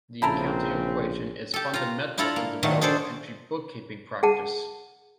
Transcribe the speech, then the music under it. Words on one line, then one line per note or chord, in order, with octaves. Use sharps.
The accounting equation is fundamental to the double-entry bookkeeping practice.
A#1 C#3 C4 E4 A4 A#4
G4 A4
F4 A#5
D4 E4 F4 A4 A#5 B5
A#3
A#2 D#3 F#3 A3
D4 G#4 A4 C5 D5
G#4 F#5 A5